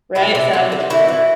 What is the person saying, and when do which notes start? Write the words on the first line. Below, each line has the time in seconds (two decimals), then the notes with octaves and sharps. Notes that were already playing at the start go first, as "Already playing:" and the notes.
Right, sad but true.
0.15 C3 D4 E4
0.35 C3
0.53 C3
0.72 C3
0.90 A3 E4 F#4
1.08 E3